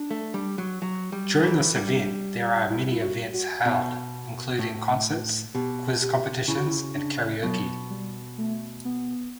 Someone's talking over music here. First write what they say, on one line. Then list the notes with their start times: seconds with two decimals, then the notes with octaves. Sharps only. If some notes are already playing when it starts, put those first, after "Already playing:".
During this event there are many events held including concerts, quiz competitions and karaoke.
Already playing: D4
0.11 A3
0.34 G3
0.58 F#3
0.82 F#3
1.12 G3
1.44 E3
1.75 G3 D4
2.70 E4
2.91 E4
3.02 F#4
3.34 F#4
3.65 B2
4.59 A2
5.54 B2 G4
6.01 G4
6.48 C#3 E4
6.58 F#4
6.67 E4
6.96 D4
7.43 B2 F#3
7.90 G3
8.38 A3
8.85 B3